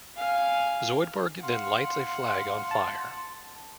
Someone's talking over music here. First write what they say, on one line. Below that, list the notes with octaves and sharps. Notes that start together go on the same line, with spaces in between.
Zoidberg then lights a flag on fire.
F5 G#5
F5 F#5 C6
A5